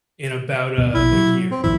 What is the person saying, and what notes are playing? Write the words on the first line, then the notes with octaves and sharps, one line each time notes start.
in about a a year.
D1 B2
A#1 B2 E4
F#3
C4
D#1 A#1 A#2 E4